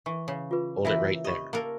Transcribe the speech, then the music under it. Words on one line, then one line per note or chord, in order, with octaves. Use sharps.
Hold it right there!
E3 C#6
C#3
F4 G#4 B4
E3 A#3 E4 C#5 E5
G4 D#5 B5 C#6
A#3 A4 A#4